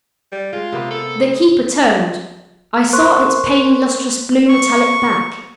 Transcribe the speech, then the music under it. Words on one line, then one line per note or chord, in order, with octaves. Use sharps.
The Keeper turned--I saw its palely lustrous blue metallic back.
G3
G#3 F4
C3 A#3 B3
A4
D#5
A#4 C5 C6 C#6 F#6
C#6